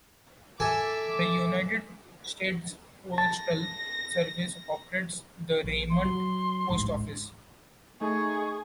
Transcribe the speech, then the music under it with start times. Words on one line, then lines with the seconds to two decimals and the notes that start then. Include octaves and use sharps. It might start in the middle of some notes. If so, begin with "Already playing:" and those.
The United States Postal Service operates the Raymond Post Office.
0.60 A4 E5 G#5 D6
3.18 A5 A#6
5.64 A#1
5.90 C6
6.05 F#3
6.70 A1 D2 G#2
8.01 A3 D#4 G#4 C#6